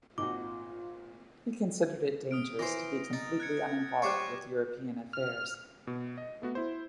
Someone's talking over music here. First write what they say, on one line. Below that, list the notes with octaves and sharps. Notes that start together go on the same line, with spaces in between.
He considered it dangerous to be completely uninvolved with European affairs.
G#1 A#2 D#4 F4 F#4 D6
D#6 F6 D7
E3 C5 A#6
D#4 A6
F#6 G#6 C#7
G3 C5 C#5 C#6 D6 F#6
F6
B2
D#5
A3 B3 F#4
E4 C5